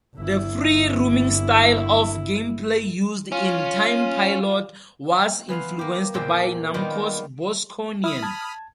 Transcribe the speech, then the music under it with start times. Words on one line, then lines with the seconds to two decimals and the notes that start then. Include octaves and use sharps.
The free-roaming style of gameplay used in "Time Pilot" was influenced by Namco's "Bosconian".
0.15 G1 E4
3.32 C#4 F4
5.49 E3 B3 F5 C6
5.79 A#3 G4
6.14 E2 A#2 C5 G5
6.74 D#3 G3 A#3 B3 F4
8.04 E4 B5 D#6 F6
8.23 A5 G#6